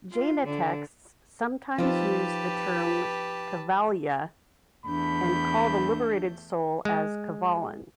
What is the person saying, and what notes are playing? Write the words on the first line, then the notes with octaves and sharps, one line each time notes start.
Jaina texts sometimes use the term Kevalya, and call the liberated soul as Kevalin.
F4
D3
F3 C4 D#4 F4 G4 B4 A5
E2 A3 D4 B5 G6
G#3